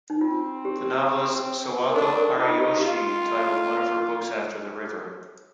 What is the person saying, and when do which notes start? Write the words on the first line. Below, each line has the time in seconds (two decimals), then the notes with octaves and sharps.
The novelist Sawako Ariyoshi titled one of her books after the river.
0.10 D#4
0.21 C4 F4
0.65 G4
1.90 A#4
1.95 D4 A4
2.16 A#4
2.38 D#4 F4
2.60 G4
2.81 F4